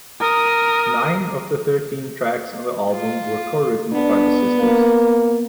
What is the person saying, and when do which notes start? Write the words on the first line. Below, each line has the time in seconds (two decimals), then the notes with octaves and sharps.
Nine of the thirteen tracks on the album were co-written by the sisters.
0.20 A#4 D#6
2.93 F4
3.92 B3 D4
4.59 A#3